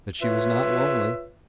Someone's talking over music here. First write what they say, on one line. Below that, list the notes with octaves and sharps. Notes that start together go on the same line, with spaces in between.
But she was not lonely.
F4 B4 C#5 E5